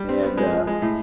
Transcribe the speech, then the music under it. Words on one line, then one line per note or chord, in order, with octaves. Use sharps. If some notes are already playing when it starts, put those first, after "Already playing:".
and, uh
Already playing: G3
C4
B3
G#3
F3
G#3
A2